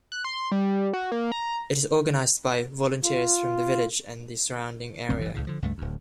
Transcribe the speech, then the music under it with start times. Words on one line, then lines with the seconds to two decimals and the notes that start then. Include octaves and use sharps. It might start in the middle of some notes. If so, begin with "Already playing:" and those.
It is organised by volunteers from the village and the surrounding area.
0.12 F#6
0.25 C6
0.52 G3
0.93 F#4
1.12 A#3
1.32 A#5
3.05 F4
5.09 F#1 D2 C4
5.21 G#1 G2 E3
5.34 C#2 A2 C#3
5.47 D3 F3
5.62 C#2 G2 A3
5.78 D1 D2